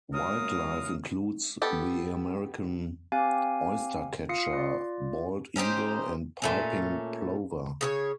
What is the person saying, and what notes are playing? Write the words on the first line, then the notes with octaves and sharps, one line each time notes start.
Wildlife includes the American oystercatcher, bald eagle and piping plover.
F#2 G#3 A#4 F5 D#6
B3 G4 A4
C4 G4 F5 G5 G#5
F4 F5 D#6 C7 C#7
F4 D5
C#4 D#4 G4 C5
A#2 A3 C#4
C#3 G#4 C#5